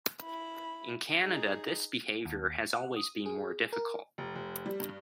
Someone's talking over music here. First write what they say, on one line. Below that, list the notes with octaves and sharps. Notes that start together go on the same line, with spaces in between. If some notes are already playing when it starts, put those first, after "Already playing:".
In Canada, this behaviour has always been more difficult.
E4 B5
D#4 G#4
D#2
F#5
D#6
G#4
A#4
F1
F1
G3
G2